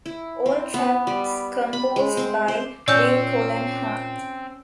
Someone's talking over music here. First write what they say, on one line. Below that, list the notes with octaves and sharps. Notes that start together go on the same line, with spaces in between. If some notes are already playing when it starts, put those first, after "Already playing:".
All tracks composed by Will Cullen Hart.
E4
C4
B3
G3
B5
G#3
C4
C5
A#2 C4 C#4 D5 E6 G6